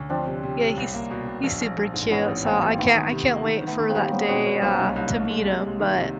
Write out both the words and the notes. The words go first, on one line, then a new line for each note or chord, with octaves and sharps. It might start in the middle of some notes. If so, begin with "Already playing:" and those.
Yeah, he's he's super cute, so, I can't I can't wait for that day, uh, to meet him, but,
Already playing: D2 C#4
F3 C4 D4
C3
C3
C3
C2
A#3
B2
B2
A#1
A#1
A#1
G#2
E3 B3 C#4
A1
A1 A#3 C4
A1
D#3 A3 B3
D#3
C3
A#3
D#3
D#3
A3 B3
D#3
A#3 C4
G3
G3 B3 C#4
B2 C4 D4
B2 B3 C#4
B1 A#3 C4
C2 C#4 D#4
C2
C2
G#3
C3
C3
D#3
C3